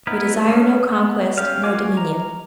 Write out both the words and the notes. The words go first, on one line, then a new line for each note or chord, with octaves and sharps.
We desire no conquest, no dominion.
B3 D#4 E4 A#4 B4
A3 B3 C#4
B3
C#4 G4 F5
F4 F#4 A#4 G#5 D6
A#5